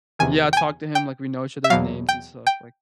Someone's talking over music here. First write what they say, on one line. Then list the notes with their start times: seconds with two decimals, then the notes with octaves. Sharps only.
Yeah, I talked to him like we know each other's names and stuff like
0.19 E2 C3 D#3 G#5
0.53 G5
0.57 G#5
0.95 G5
1.64 E5
1.70 E2 B2 F#3 F5
2.09 G5
2.47 G5